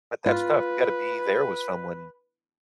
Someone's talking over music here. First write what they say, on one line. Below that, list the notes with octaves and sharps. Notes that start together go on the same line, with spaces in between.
But that's tough, you gotta be there with someone.
F4 B4